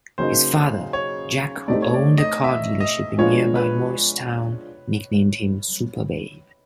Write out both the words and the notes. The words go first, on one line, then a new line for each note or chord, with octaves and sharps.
His father, Jack-who owned a car dealership in nearby Morristown-nicknamed him Super Babe.
C#3 F#3 A#3 D#4 C5
C#5
A3 C4 D#4 G4 D5
C#5
D5
D#5
E5
D#5
F3 G#3 B3 D4 F4 C#5
B4